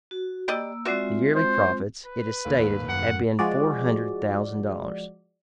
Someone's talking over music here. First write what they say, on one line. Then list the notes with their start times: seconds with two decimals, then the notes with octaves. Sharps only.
The yearly profits, it is stated, have been four hundred thousand dollars.
0.11 F#4
0.48 G3 A#3 D5 D#5 E6
0.85 G#3 C4 F4 F#4 D5 E5
1.35 C5
2.06 B4
2.45 F1 D#2
2.89 F#2 F#5
3.39 F3 G#3 F#4 D5